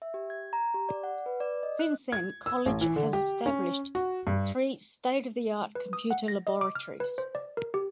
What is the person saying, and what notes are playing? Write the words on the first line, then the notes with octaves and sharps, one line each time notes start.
Since then college has established three state of the art Computer laboratories.
E5
G4
G#6
A#5
G4
D5
F#5
B4
D5
D#5
F#6
G#6
E6
A1
E3
D3
G4
C#4
F#4
G2
B4
D#6
F#5
A#6
D#5
D6
F6
B4
C5
D5
A#4
G4